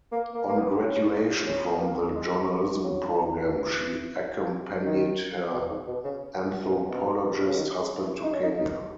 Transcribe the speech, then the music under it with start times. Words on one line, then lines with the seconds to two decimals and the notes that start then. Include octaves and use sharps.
On graduation from the journalism program she accompanied her anthropologist husband to Kenya.
0.12 A#3
0.34 A#3
0.48 A#3
0.57 B3
0.80 C#4
1.47 C#4
1.74 B3
1.81 A#3
2.15 G#3
2.83 F#3
3.51 E3
4.85 D#3
5.52 B2
5.69 G#2
5.87 B2
6.04 C#3
6.44 A#2
6.65 B2
6.88 B2
7.24 A#2
7.35 B2
7.45 C#3
7.56 D#3
7.78 G#3
8.01 E4
8.23 D#4
8.33 C#4
8.43 D#4
8.57 D#4